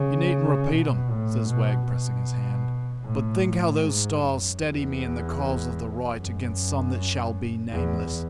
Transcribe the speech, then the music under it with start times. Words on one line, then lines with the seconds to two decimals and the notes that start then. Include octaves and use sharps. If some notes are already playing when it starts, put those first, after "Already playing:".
You needn't repeat 'em,' says Wegg, pressing his hand. 'But think how those stars steady me in the cause of the right against some that shall be nameless.
Already playing: C#3
0.71 B2
1.10 A2
1.49 B2
1.88 B2
3.05 A2
3.84 G#2
4.22 F#2
4.61 E2
6.16 F#2
7.72 E2